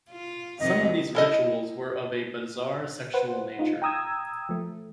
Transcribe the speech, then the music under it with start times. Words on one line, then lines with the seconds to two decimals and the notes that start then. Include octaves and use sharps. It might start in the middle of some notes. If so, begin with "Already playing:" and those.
Some of these rituals were of a bizarre sexual nature.
0.10 F4
0.60 F2 C3 D#3 D#5
1.15 E4 A4 D#5
3.14 B4 C5 F#5
3.59 D#4 F4
3.82 G5 A#5 D#6 E6 G#6
4.49 F3 A3